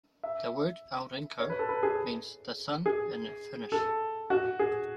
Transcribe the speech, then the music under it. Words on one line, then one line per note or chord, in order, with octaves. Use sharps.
The word "Aurinko" means "The Sun" in Finnish.
E5
C#5
B4
A4
B4
G#4
G#4
A4
F#4
G#4